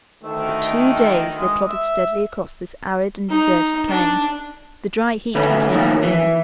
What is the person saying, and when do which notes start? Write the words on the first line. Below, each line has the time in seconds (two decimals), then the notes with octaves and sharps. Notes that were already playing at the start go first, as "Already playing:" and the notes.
For two days they plodded steadily across this arid and deserted plain. The dry heat became severe.
0.23 D2 D#3 A3
1.38 G#3
1.68 E5
3.29 D#4
3.88 D4
5.35 D2 A3 C#4 B4
5.72 A2 D#3 F3 F#3 A#3 C#4
6.03 E3